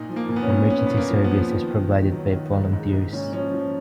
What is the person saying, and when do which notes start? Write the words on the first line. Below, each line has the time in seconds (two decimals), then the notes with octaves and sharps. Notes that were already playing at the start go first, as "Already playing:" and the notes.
Emergency service is provided by volunteers.
Already playing: A#2 D#4
0.09 F3
0.16 A#3
0.29 A#2
0.36 B3
0.42 C#4
0.50 A#2
0.65 C#4
0.70 F3 B3
0.87 A#2 B3
0.97 A#3
1.10 F3
1.24 B3
1.31 F3
1.52 D#3
1.71 D#3
1.92 D#3
2.12 F#3
2.32 D#3
2.52 G#2
2.73 G#2
2.93 G#2
3.13 A#2 C#4
3.33 F3 C#4
3.54 F3